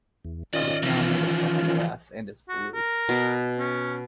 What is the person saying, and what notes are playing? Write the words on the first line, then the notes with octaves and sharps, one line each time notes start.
It is now made of plexiglass and is blue.
E2
D#3 C#4 F4 D5 D#5
E3 F3
F#4
A#4
B2
C#4